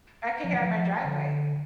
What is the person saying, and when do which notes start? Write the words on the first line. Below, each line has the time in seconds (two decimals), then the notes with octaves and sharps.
but I can't get out of my driveway.
0.44 F3
0.53 E3
0.62 F3
1.05 D3